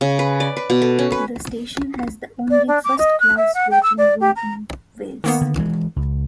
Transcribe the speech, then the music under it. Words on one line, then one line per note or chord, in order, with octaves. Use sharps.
The station has the only First Class waiting room in Wales.
C#3
B4
D5
B4
B2
A4
C#4
B4
D5
D4
D6
D#5
F#6
E5
F#5
G5
E6
D5
G4
A#5
D#3 A#3 B3
D3
E3 G#3
C#2